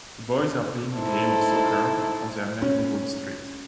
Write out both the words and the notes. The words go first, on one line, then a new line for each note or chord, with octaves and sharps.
The boys are playing a game of soccer on their neighborhood street.
D#4 E4 A4 C5
C#4